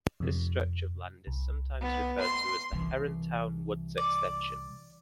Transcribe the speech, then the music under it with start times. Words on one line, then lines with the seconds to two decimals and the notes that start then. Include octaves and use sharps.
This stretch of land is sometimes referred to as the Herrontown Woods extension.
0.20 F2 C3
1.27 C2
1.82 B3
2.21 C6
2.73 C2 E3
3.98 D5